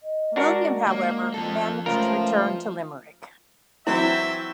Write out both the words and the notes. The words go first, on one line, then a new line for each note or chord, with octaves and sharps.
William, however, managed to return to Limerick.
D#5
G#3 D4 F#4 A#4
A#3
F3 A4
C#2 A3 F4 A#4 C5
E3 F#3 C4 E4 E5 G5